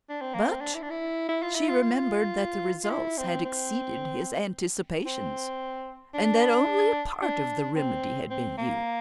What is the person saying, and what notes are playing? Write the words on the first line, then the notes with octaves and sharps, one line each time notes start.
But she remembered that the results had exceeded his anticipations, and that only a part of the remedy had been used.
D4
C4
A#3
C4
D4
E4
D4
E4
E4
F4
E4
F4
F4
F4
E4
C4
C4
C4
D4
D4
C4
C4
A#3